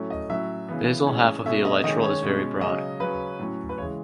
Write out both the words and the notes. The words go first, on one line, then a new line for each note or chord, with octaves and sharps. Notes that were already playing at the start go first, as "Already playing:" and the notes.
Basal half of the elytral is very broad.
Already playing: A2 F#3 A3 C#4
D#5
A2 F#3 C#4 E5
C#3 E3 B3
A2 G#3 C#4
B2 A3 C#4 E5
D#5
D#3 G#3 C#4 D#5
C#5
B2 G#3 C#4
C#3 F#3 C#4 D#5
C#3 F#3 C#4 B4
A2 F#3 C#4
B4
C#3 E3 G#3 C#5